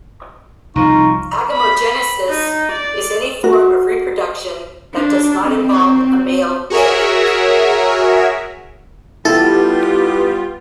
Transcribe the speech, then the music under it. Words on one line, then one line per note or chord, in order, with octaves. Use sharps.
Agamogenesis is any form of reproduction that does not involve a male gamete.
C2 F3 D#4 F4 C#6
B5
D#4
D5
F#4
D4
C4
F#4 G#4 A#4 C#5 E5
G3 B3 E4 F4 G4 A4